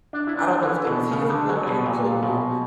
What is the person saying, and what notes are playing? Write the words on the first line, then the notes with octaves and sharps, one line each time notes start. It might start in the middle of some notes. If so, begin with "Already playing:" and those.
I don't know if there was healing water in the pool,
D4
E4
D4
E3
B2
C#3
D3
F#3
B2
A#2
B2